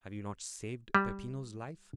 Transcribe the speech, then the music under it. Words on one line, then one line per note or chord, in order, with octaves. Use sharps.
"Have you not saved Peppino's life?"
G3